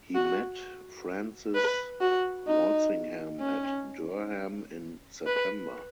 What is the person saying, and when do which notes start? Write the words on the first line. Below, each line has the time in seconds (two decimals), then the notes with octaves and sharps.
He met Francis Walsingham at Durham in September.
0.15 F#4
1.55 B4
2.01 F#4
2.48 D#4
3.40 C#4
5.26 B4